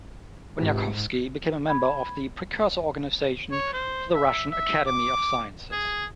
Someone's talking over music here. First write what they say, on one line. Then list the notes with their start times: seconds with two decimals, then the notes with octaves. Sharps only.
Bunyakovsky became a member of the precursor organization to the Russian Academy of Sciences.
0.57 C#2 G#2 C3
1.68 B5 G#6
3.51 C#5
3.73 C5
4.15 E5
4.51 E5
4.87 D6
5.72 G#4